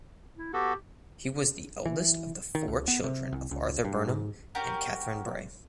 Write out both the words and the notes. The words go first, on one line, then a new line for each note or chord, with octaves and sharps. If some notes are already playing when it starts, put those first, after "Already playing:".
He was the eldest of the four children of Arthur Burnham and Katharine Bray.
E4
B3 F#4 G4 A4
E3
D#3
C#2
B3
C3
C2
C#2
G2
G#2
C#4 F#4 G4 A#4